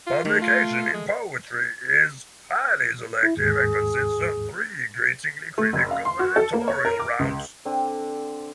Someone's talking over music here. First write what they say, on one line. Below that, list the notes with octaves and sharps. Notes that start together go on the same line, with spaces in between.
Publication in "Poetry" is highly selective and consists of three increasingly critical editorial rounds.
F4
D#3 A3
F4
G#3
E4
D#2 G#2 G#4
A3
F#1
F5
C6
F#4
A4
A#3
C#5
A#4
D6
C#2
D3 C4